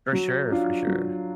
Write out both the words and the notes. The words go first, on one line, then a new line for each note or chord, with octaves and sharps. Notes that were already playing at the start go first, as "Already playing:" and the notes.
For sure, for sure.
F#3
D4 F4
F#3